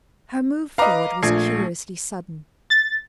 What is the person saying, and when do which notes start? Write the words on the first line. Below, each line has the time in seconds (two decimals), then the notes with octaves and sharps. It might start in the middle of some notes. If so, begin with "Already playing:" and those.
Her move forward was curiously sudden.
0.78 B4 D#5 F5 A#5 D6
1.23 A#1 A3 G#6 C7
2.70 A6